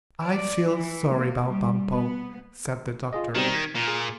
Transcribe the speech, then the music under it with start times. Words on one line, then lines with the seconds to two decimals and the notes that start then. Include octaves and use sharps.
"I feel sorry about Bumpo," said the Doctor.
0.23 D5
0.69 E3
1.13 A#3
1.48 G3
1.90 B3
3.13 F4 G#4 D#5
3.35 B2 D#3 G3 C4
3.54 G#6 B6
3.75 A#2
3.88 G#4